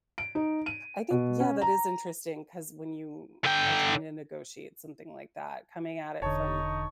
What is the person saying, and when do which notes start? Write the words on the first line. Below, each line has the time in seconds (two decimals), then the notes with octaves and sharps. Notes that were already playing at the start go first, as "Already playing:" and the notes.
I think, yeah, that is interesting ‘cause when you are trying to negotiate something like that, coming at it from
0.18 D7
0.35 D#4
0.66 D#7
1.10 B2
1.40 C#4
1.62 A#5
3.44 D3 G5
6.22 E1 D3 D#4 C#5 A5 C#6